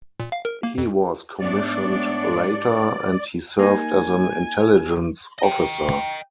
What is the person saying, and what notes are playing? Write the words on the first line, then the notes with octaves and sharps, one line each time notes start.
He was commissioned later, and he served as an intelligence officer.
A#2
F5
A#4
A#3
F2
G#2 E3 A3 B3 D4 C#5 D5
A#3 D#4 G#5
D#5 G5